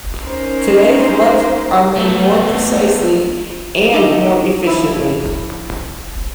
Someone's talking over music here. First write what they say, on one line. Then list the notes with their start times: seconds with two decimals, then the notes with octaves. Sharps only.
Today, gloves are made more precisely and more efficiently.
0.23 C#4 D#4 A#4 C5
1.96 A3 B3
3.93 D4 D#4 G4 A4 D#5 A#5
4.67 F3 E4